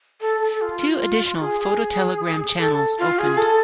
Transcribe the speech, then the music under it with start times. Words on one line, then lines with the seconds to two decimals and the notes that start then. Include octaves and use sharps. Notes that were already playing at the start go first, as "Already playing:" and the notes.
Two additional phototelegram channels opened.
0.21 A4
0.41 A4
0.61 F4
1.40 G#4
1.60 G#4
2.58 A4
2.99 F4
3.19 G#4
3.37 A4